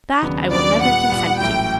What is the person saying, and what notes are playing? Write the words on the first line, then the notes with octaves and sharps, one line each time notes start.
THAT I will never consent to.
D#2 C#3 F#3 B3 D4
D#2 C#3 F#3 B3 D4 D5
A#2 G3 B3 F#5
A#2 G3 B3
A1 A2 F#3 G5